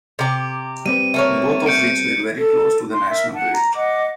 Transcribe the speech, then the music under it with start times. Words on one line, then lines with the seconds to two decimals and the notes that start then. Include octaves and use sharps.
Both of which were very close to the national rate.
0.19 C3 G4
0.86 G3 C4 B4 D#7
1.14 A3 A#3 C#5
1.66 G6 C#7 D7
2.37 A4
2.92 C6
3.10 A#4 E5
3.34 F#5 A5
3.52 A#5
3.75 D#5 F#5 D6